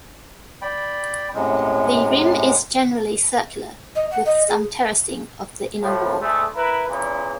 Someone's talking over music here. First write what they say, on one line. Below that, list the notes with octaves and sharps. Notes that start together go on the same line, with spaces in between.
The rim is generally circular, with some terracing of the inner wall.
D5 G5 B5
F#2 A2 C3 G#3
D#5
F#5
D#5
G#4
A2 F3
D2 G#3 A3
E4 A#4 B4
E2 A#2 C#3